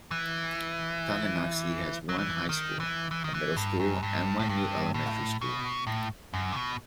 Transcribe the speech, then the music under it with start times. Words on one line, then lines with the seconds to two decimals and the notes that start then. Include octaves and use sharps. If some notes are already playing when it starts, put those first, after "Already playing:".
Tonganoxie has one high school, a middle school, and one new elementary school.
0.11 E3
2.09 F#3
2.18 E3
2.49 D#3
2.80 E3
3.11 E3
3.24 D#3
3.34 E3
3.57 G2
3.80 F#2
4.03 G2
4.39 A2
4.49 G2
4.94 A2
5.42 B2
5.87 A2
6.34 F#2
6.52 C3
6.56 B2